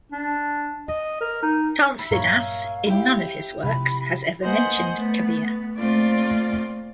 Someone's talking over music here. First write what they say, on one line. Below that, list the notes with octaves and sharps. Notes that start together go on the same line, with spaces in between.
Tulsidas, in none of his works, has ever mentioned Kabir.
D4
D#5
A#4
D#4
E5 B5
G2 A#2 F#3 A#4 C#5 E5 F5
E4 G4
C3 F3 B5
A#3 B3 C5 D#5 F#5 G#5
A3 B3
A#2 A3 C4 F4 D5